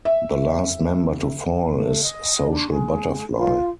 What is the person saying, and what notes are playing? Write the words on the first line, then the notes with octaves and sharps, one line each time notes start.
The last member to fall is Social Butterfly.
E5
A3
D#5
D4
G#3
F4